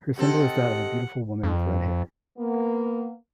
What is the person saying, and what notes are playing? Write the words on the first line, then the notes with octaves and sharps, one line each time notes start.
Her symbol is that of a beautiful woman with red hair.
D#3 C4 G4 A4 F#5
F2
A#3 B3